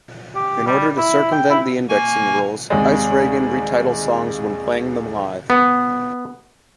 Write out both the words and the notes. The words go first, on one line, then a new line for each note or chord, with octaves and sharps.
In order to circumvent the indexing rules, Eisregen retitle songs when playing them live.
G4
G3
E4
G5
E4
A#3 G#5 C#6
D#2 C3 G3 G#3
B3